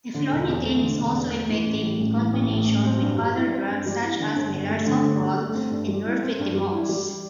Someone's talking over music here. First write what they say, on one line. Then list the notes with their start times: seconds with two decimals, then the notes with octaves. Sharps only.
Eflornithine is also effective in combination with other drugs, such as melarsoprol and nifurtimox.
0.14 D3
0.32 E1
0.48 E2
0.65 A3
0.82 D3
0.98 E1
1.16 E2
1.33 A3
1.49 E3
1.66 A1
1.83 A2
2.00 A1
2.16 E3
2.33 A1
2.50 A2
2.67 A1
2.84 C4
3.02 G2
3.18 G3
3.35 E4
3.51 C4
3.69 G2
3.86 G3
4.03 E4
4.20 D3
4.36 G1
4.53 G2
4.69 A3
4.86 D3
5.04 G1
5.20 G2
5.37 A3
5.54 C4
5.70 G2
5.88 G3
6.05 E4
6.22 C4
6.39 G2
6.55 G3
6.72 E4
6.89 G3